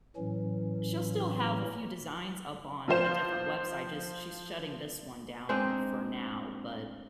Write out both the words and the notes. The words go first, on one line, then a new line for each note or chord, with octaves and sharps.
she'll still have a few designs up on a different website, just she's shutting this one down for now. But
A2 E3 F#3 C#4
F3 F4 C5 E7
G#3 C4 D4 D#4